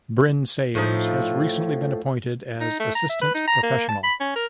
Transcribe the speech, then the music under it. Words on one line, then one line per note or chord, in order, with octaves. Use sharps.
Bryn Sayers has recently been appointed as Assistant Professional.
A2 F3 D#4
D#4
A3
A#5
E5
B4
D#4
A#5
A#3
A5
B5
C#4
A#4